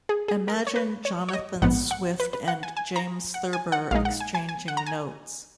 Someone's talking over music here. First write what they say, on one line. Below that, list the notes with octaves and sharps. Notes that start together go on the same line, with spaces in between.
Imagine Jonathan Swift and James Thurber exchanging notes.
G#4
G#4
A#4
C#5
B4
C#5
C#5
D#5
A#1 G#2 F3 B3 F#5
F#5
B4
B4
F#5
G#5
G#5
A#5
F#5
G#5
F#5
A#1 A#2 G#3 D#4 F5
F#5
G#5
G#5
G#5
F#5
A#5
G#5